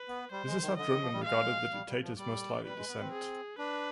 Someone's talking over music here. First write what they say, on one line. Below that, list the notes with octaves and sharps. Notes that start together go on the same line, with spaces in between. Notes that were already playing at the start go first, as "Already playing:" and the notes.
This is how Drumann regarded the dictator's most likely descent.
Already playing: B4
B3
G3 C5
G#3
D#3
D3 D#5
D#3
F3
G3
G#3 F5
G3
G3
F3
G3 D5
G3 B4
G#3
B3
C4
G#4
D4 B4